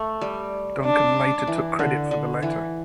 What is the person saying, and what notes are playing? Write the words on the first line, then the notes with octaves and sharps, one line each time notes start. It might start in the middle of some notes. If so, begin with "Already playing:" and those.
Duncan later took credit for the letter.
Already playing: A3
G3
D4
E3
D3
D3
E3